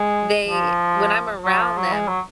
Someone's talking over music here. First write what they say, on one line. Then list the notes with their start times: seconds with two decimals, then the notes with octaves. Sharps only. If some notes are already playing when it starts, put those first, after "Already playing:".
they when I'm around them,
Already playing: G#3
0.48 F3
1.44 F#3
1.60 F3
1.77 F#3
1.92 G#3
2.07 F#3